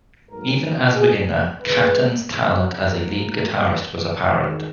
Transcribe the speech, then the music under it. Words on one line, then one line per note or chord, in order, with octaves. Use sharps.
Even as a beginner, Caton's talent as a lead guitarist was apparent.
G#2 F#3 A#3 A#4
G#4
C#2 C#3 G#3 B3 B4
G#2 F#3 A#3 A#4
G#1 G#2 D#3